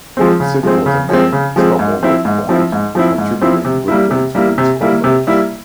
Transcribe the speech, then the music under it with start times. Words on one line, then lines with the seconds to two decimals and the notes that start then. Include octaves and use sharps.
The city was a main stop-over point, contributing greatly to its commerce.
0.17 F3 G#3 C4
0.40 C#3
0.63 F3 G#3 C4
0.86 C#3
1.09 F3 G#3 C4
1.33 C#3
1.56 F3 G#3 C4
1.79 G#2
2.03 F3 C4 E4
2.25 G#2
2.49 F3 C4 E4
2.72 G#2
2.95 F3 C4 E4
3.18 G#2
3.41 F3 C4 E4
3.65 C3
3.88 G3 A#3 E4
4.11 C3
4.35 G3 A#3 E4
4.58 C3
4.81 G3 A#3 E4
5.04 C3
5.27 G3 A#3 E4